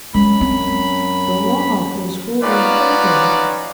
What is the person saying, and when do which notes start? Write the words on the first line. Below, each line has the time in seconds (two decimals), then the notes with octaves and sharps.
The log was rolling over!
0.14 F#2 G#3 B5
0.41 C4
2.42 C#4 D#4 F4 F#4 B4 D5